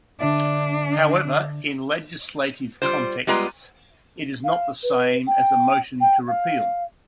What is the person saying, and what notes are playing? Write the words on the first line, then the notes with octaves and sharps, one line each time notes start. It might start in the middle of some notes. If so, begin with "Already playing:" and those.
However, in legislative contexts, it is not the same as a motion to repeal.
D3 D4 D5 E5
G3 F4 C5
G3 G#3 B3 F4 B4 A#5
F5
B4
G5
G5
F5